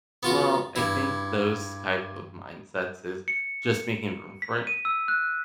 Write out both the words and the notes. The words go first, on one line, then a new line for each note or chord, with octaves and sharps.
Well, I think those type of mindsets is just making room for it
B3 F4 F#4
G2 E4
C#7
B6
D#7
E6
F#6